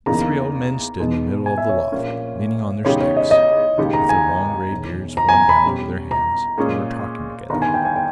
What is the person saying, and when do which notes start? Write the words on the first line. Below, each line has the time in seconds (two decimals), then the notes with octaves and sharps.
The three old men stood in the middle of the loft, leaning on their sticks, with their long grey beards flowing down over their hands, and were talking together in low voices.
0.06 E2 C#3 E3 A#3 D#4 A#5
0.99 E2 B2 G#3 B3 D#4
1.46 G#5
1.58 E5
1.69 C#5
1.80 C#5
1.92 A#1 A#2 A#3 C#4
2.85 E2 C#3 G#3 D#4 G4 C#5
3.01 C#5
3.17 D#5
3.31 D#5
3.78 D#2 C#3 G#3 D#4 G4
3.93 A#5
4.09 G#5
4.71 E1 E2 D#3
5.17 A#5
5.29 G#5
5.33 A#5
5.49 B5
5.64 B2 G3 C#4 G4
6.11 A#5
6.58 A#2 G#3 C#4 G#4
7.50 G1 G2 D#3 A#5
7.62 G#5
7.74 G5
7.85 G#5
7.96 G5